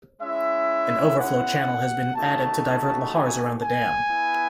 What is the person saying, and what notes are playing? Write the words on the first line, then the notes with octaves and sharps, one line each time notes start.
An overflow channel has been added to divert lahars around the dam.
G#3 C#4 E4 E5
F#5
A3 D#4 F#4 A5
G#5
G#5
B3 E4